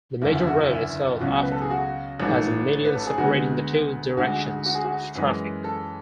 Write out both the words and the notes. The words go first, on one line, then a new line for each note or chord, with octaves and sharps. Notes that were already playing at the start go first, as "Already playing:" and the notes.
The major road itself often has a median separating the two directions of traffic.
F#1 E2 D3 E4
E4
F#4
E4
E4
C#2 B2 F#3 C#4
B4
A4
G#4
F#4
A1 G#2 E3 A3
B4
A4
G#4
D2 D3 G#3 B3 F#4
D2 D3 G#3 F#4
F#4
G#4
F#4
F#2 E3 G#3
A4